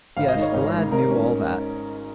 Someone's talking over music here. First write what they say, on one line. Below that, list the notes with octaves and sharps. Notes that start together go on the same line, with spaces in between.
Yes; the lad knew all that.
G#1 F5
D#5
G#2 D#3
C#5
G#1
G#2 D#3
G#2 A#4
D#3 C#4